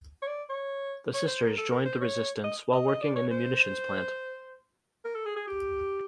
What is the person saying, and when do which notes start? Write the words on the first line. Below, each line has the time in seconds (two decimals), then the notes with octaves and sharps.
The sisters joined the resistance while working in the munitions plant.
0.22 C#5
0.27 D5
0.49 C#5
1.14 C#5
1.28 C5
1.43 A#4
1.57 A4
1.71 A#4
1.86 C5
2.01 C#5
2.44 D#5
2.72 D#5
2.87 D#5
3.02 D5
3.16 C#5
3.31 C5
5.05 A#4
5.15 A4
5.25 G#4
5.36 G#4
5.47 G4